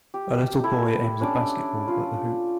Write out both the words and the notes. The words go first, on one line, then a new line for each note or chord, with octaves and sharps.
A little boy aims a basketball at the hoop.
G4
E4 A4
C#4 D4 D5
F4